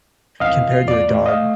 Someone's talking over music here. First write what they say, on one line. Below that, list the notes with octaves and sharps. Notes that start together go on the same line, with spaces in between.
compared to a dog,
E2 C3 E3 D#5 F5
F4
E2 D5
A2
A3 D#5 F5